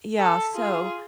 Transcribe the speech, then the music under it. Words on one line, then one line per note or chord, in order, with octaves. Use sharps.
Yeah, so
A4
F4 G#4